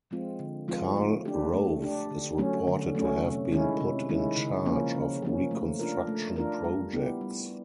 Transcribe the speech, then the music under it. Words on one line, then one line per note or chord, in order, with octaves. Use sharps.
Karl Rove is reported to have been put in charge of reconstruction projects.
F3 G#3 C4 F4
D3
F3 G#3 C4 F4
A3
D4 G4
A3
D4 G4
D3
F#3 A3 C#4
D3
F#3 A3 C#4
C3
D#3 G#3 C#4 E4
C3
D#3 G#3 C#4 E4
C#3
F3 A#3 C#4
C#3
F3 A#3 C#4
A3
D4 F4 A#4
A3
D4 F4 A#4
G3
B3 E4 G4
G3